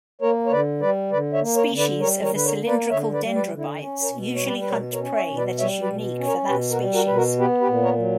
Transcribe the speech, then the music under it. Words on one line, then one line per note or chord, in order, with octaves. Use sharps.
Species of the cylindrical Dendrobites usually hunt prey that is unique for that species.
A#3 A#4 C#5
C#5
D3 B4 D5
G3 B4 D5
D3 B4 D5
C#5 E5
A#3
A#4 C#5
D3
B4 D5
G3 A#4 C#5
A#4 C#5
D3
B4
A#4 C#5
A#3
B4 D5
D3 C#5 E5
B4 D5
G3
B4 D5
D3
E4
C#4
A#4 C#5
B2
G3 C#5
B4 D5
B4
B2 A#4 C#5
A#4 C#5
C#4
C#5 E5
B2
B4 D5
G3 C#5 E5
B4 D5
B2
C#4
A#4 C#5
B2 G4 B4
F#4 A#4
G3
F#4 A#4
B2 B4
F#4 A#4
B3 G4 B4
G4 B4
A#2
A#4 C#5
F#3